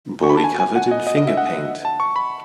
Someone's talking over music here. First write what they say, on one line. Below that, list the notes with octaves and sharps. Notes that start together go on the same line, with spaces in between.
Boy covered in finger paint.
C#6
B5
A5
G#5
G#5
F#5
D#5
D#5
D#5
E5
F#5
A5
C#6
B5